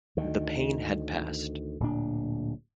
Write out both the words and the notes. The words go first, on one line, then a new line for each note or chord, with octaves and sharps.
The pain had passed.
D2 D#3
D1 A#2 D4